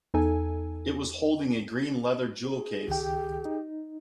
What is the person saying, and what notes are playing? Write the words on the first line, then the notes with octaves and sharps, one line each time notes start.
It was holding a green leather jewel-case.
E2 D#4 A4 G#5
G#4
C#2 D#3 G4 G5
D#4